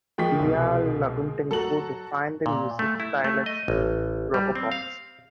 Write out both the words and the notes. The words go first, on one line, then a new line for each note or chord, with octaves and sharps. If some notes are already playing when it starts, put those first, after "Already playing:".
Ilya Lagutenko defined their music style as rockapops.
F3 G#3 A#3 G5 C#6 B6
C2 B2
F#3 F#4 A4 A#5 F#7
A#2
A3
E4
A3
D#5
A1
G3
C4
F5